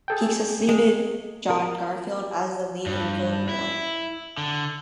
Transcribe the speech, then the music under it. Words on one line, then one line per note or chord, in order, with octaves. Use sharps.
He succeeded John Garfield as the lead in "Golden Boy".
G#4 A4 G5
G#3
A#4
G2
E4
D3